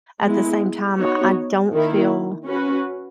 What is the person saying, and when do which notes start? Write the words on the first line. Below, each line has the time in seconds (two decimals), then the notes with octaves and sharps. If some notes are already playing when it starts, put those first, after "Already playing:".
at the same time, I don't feel
0.23 G#3 B3 E4
0.97 B3 D#4 F#4 C#5
1.72 D#3 A#3 E4
2.47 C#4 F#4 B4